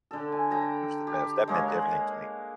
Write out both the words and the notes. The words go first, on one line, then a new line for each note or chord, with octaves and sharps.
it was the best. That meant everything to me.
D3 A4
G#5
A4 G5 A#5
G4
G#3 A#3 C#5
F#5